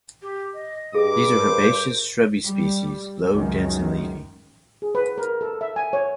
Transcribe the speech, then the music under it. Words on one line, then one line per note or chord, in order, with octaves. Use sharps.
These are herbaceous, shrubby species, low, dense and leafy.
G4
D#5
G2 G#4 D6
A#4 C5
G3
C#2 F#2 D#3
G#4
B4
A#4
A4
E5
G#5
C#5